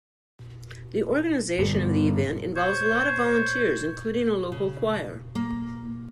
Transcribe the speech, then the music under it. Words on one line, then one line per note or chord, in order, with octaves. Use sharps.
The organization of the event involves a lot of volunteers, including a local choir.
G2 D3 G3 B3
C5 C#5
C#3
A#3